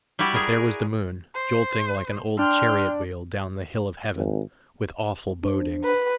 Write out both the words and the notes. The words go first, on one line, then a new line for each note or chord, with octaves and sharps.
But there was the moon jolting like an old chariot-wheel down the hill of heaven, with awful boding!
G3 E4 F#4 D5
G#4 A#4
C5
D4 G5 C6 F6
G#1
D4 C5
B4